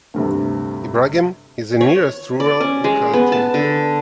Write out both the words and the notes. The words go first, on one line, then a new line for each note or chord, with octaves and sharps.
Ibragim is the nearest rural locality.
D2 G2 C3
C#5
D5
C#4
G#3
B3
A5
D3